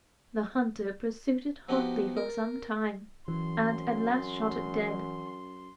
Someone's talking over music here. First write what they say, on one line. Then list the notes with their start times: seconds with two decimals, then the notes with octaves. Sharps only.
The hunter pursued it hotly for some time, and at last shot it dead.
1.69 F3 B3 D#4 F#4 G4
2.17 A#4
3.28 F#2 E3 C6